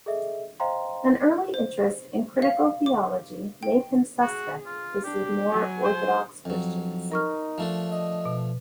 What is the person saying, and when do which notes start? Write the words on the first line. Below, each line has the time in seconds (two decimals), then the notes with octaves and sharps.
An early interest in critical theology made him suspect to some more 'orthodox' Christians.
0.06 G#4 A4 D#5 E5
0.60 C5 D#5 F5 G5 A#5 C6
1.54 C5
2.42 F5
2.86 D6
3.63 G5
4.21 F#4 G#4
4.66 F4
5.04 D4 G4
5.50 F#3 G#5
5.84 C5
6.45 F2 F#3
7.12 D#4 A#4 C#6 F6
7.58 F3 A3 D4
7.91 D#5
8.25 B2